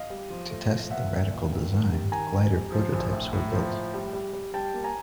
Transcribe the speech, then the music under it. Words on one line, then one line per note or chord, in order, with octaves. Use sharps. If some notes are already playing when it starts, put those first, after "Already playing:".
To test the radical design, glider prototypes were built.
Already playing: D#5 F5
G3
F3
A3
F3
A#2 E5 F#5
B1
A#2
D#3
D#3
G3
D#3 G#5 A#5
F#1
G3
F3
A#1
A2
A2
F3
A2
G3
G3
G3
G3 G5 A5
A#3
G#5 A#5